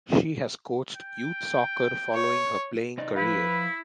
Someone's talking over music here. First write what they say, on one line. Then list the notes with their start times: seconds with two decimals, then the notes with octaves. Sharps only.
She has coached youth soccer following her playing career.
0.96 G5
2.13 C#5
2.98 C3 D#4 D5
3.16 F3 E4 B4 F5